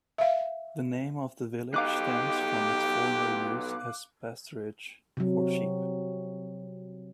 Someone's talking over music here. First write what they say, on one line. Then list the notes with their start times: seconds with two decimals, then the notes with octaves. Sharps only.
The name of the village stems from its former use as pasturage for sheep.
0.18 E5 F5
1.74 B2 D#4 G4 F5 D6 F#6
5.17 C3 F#3